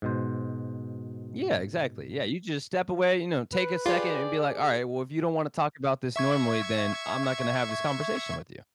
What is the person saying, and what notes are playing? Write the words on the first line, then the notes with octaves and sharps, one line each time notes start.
Yeah, exactly, yeah, you just step away, you know, take a second and be, like, "All right, well, if you don't wanna talk about this normally, then I'm not gonna have this conversation with you."
G#2 B2 C5
B4
F4 G4 G#4 D5
E5 C#6 G#6